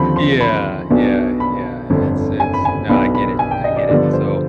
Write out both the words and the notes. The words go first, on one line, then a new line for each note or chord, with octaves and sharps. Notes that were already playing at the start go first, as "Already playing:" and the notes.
Ye yeah, yeah, yeah, it's it's no, I get it, I get it, so
Already playing: D#2 D3 F3 C4 B5
C6
B5
B1 B2 B3 D4
B5
G1 F2 D3
G#5
B5
G#5
B1 B2 B3 D4 B5
B5
G#5
G5
D#5
D5
G2 D3 F3 B3 D5
C5